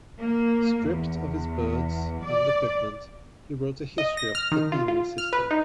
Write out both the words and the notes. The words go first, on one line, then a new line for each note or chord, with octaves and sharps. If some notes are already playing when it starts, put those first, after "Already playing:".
Stripped of his birds and equipment, he wrote a history of the penal system.
A#3
E2
D5
D#5
A#6
F6
D#3
F4
F4
F6
B4
D#4